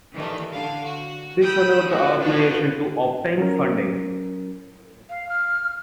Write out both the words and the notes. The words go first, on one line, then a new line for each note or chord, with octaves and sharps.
This allowed the organisation to obtain funding.
D#3 E3 G3 A3
D3 D4 F5
F#4
G5 B5 D#6 E6
F3 G#3 A3 B3 F#4
F3 B3 D4 F4 F#4
F#3 C#4 A#4
F5
F6